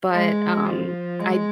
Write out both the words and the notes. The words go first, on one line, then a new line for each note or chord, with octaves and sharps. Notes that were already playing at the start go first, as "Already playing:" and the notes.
but, um, I d
G#3
F3
G#3